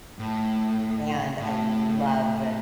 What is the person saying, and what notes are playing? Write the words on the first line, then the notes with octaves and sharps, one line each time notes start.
and I love
A2
A2